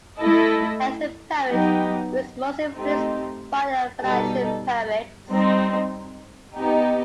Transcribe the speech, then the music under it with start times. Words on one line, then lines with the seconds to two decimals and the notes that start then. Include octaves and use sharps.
As a poet he was most influenced by the Parnassian poets.
0.20 A3 E4 A4 D#5
1.48 F#3 B3 D#4 G4 D#5
2.74 A3 C4 D#4 G4
4.01 B2 G3 D#4 A4
5.29 G3 C4 D#4
6.56 B3 D#4 G4